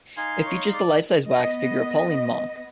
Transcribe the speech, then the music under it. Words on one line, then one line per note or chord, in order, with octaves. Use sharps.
It features the life-size wax figure of a Pauline monk.
D#4 F5 G#5 C6
C#5
D5
B3 D#5